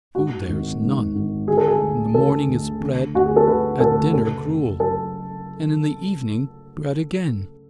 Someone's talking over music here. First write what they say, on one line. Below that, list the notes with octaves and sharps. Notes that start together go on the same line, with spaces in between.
Food there is none; in the morning it's bread, at dinner gruel, and in the evening bread again.
G#2 F#4
G#1
G#2
G#1
D3 G#4
A4
G#4
D2
D3 A4
D2
D3
D2 F#4
G#4
A4
D3 B4
D2 A4
F#1 A4
F#1
F#2 A4